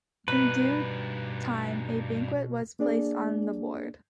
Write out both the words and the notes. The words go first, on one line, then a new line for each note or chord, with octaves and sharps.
In due time a banquet was placed on the board.
G2 B2 D#4 B4 B5
A#3 D4 G#4 D5